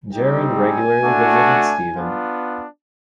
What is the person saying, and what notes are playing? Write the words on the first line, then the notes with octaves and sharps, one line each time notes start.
Gerard regularly visited Stephen.
G3 C4 D#4 G4 G5
G#5
A3 D4 F#4
B3 D4 F4